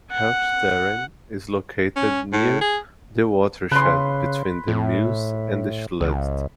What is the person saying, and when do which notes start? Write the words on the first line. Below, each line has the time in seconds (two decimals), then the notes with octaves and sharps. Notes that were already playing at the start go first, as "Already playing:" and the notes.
Helchteren is located near the watershed between the Meuse and the Scheldt.
0.12 F#5
1.96 C#4
2.33 A2
2.61 G#4
3.71 C#3 B4 C6
4.68 A2
6.01 C#2